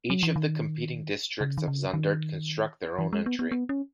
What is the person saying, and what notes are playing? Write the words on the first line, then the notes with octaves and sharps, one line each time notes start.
Each of the competing districts of Zundert construct their own entry.
F#3
E3
D#3
C#3
D#3
C#3
D#3
E3
G#3
B3
B3
B3
C#4